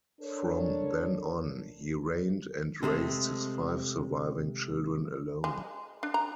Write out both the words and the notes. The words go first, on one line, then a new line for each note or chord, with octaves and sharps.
From then on, he reigned and raised his five surviving children alone.
D4 A4 A#4 C#5
C3 G#3 A3
G#3
D4
A#5